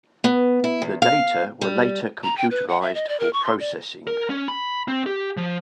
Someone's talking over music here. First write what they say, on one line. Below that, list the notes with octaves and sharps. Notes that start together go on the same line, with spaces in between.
The data were later computerized for processing.
B3
E4
E2
F5
G3
A#5
G5
B4
F#5
E5
D#5
D5
A#4
C#6
C6
D5
A#4
C#4
B5
C4
G4
F3